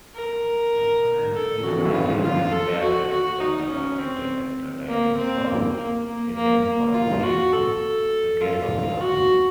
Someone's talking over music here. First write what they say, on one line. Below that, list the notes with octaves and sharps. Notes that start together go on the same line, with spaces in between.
His thesis entitles "Internal and international dynamics of ethnic conflict: the case of Iran".
A#4
A4
F#4
F4
F4
A4
F#4
F#4
D#4
C#4
C4
A#3
C4
A#3
A#3
A#3
A#3
A#3
F4
F#4
A4
F4
F#4